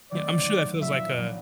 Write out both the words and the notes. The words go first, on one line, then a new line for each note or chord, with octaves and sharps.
Yeah, I'm sure that feels like, uh
D#3 F#3 A3 C4 D5
D#3 F#3 A3 C4
A#1 A#2 F#3 E5
A#1 A#2 F#3